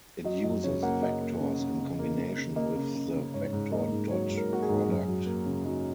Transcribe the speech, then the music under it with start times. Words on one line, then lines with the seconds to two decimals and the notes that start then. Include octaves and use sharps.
It uses vectors in combination with the vector dot product.
0.24 F#3 D#5
0.44 F#2 D#5
0.64 C#3 C#5
0.82 A#3 F#5
1.02 C#3 D#5
1.21 A#3
1.41 C#3
1.60 C#3
1.79 C#3
1.99 A#3
2.18 C#3
2.38 C#3
2.56 A#3 D#5
2.75 C#3
2.95 C#3
3.15 C#3
3.34 G#2 C#5
3.53 G#2
3.72 A#3 D#5
3.91 G#2
4.11 F#3 C#5
4.30 G#2
4.37 A#4
4.49 A#3 F#4
4.62 G#4
4.69 G#2
4.89 F#2
5.08 F#3
5.26 A#3
5.46 C#3
5.65 F#3 D#4